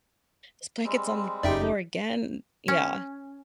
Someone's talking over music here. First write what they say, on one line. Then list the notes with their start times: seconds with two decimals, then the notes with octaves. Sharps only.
"This blanket's on the floor again?" Yeah.
0.84 G3 G#3 C4
1.43 F#1 D#4 G4 D5 E5 G5
2.68 C#4